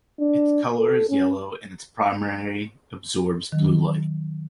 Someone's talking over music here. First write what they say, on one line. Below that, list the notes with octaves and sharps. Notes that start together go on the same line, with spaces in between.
Its color is yellow, and it primarily absorbs blue light.
D4
A4
C#4
D#3 F#3